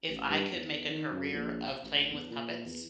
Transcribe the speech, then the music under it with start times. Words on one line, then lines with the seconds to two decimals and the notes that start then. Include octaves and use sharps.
if I could make a career of playing with puppets,
0.09 A1
0.30 G2
0.52 E2
0.90 D#3
1.10 F#2
1.33 A#1
1.84 A1
2.12 E2
2.30 A#2
2.65 E2